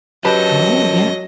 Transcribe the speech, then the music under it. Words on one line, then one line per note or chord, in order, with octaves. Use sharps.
Oh, yeah.
F#2 F#3 G4 A4 B4 D#5 A5